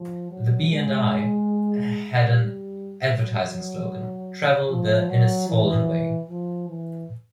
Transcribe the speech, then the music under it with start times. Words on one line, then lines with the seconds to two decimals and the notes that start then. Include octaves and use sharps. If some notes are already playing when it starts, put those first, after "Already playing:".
The B and I had an advertising slogan: "Travel the Innisfallen Way".
Already playing: F3
0.30 F#3
0.71 G#3
2.30 G3
3.10 F#3
4.69 F3
5.09 F#3
5.49 E3
6.30 F3
6.68 E3